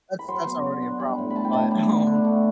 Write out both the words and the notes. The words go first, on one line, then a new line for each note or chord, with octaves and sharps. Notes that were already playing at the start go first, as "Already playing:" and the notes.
that's that's already a problem, but, um
B5
F#3 C6
B3
D3
D4
G3 B5
A2
B5
A2 A5
G5
A2 A5
D4 B5
D3
D3
A3